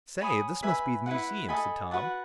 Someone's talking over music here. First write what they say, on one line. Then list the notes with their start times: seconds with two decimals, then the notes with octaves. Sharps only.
"Say, this must be the museum," said Tom.
0.20 C#5 G#5 B5 D#6
0.63 B4 E5 G#5 B5
1.06 E4 B4 F#5
1.48 A4 D#5 G#5 B5
1.91 F#4 B4 F#5 A5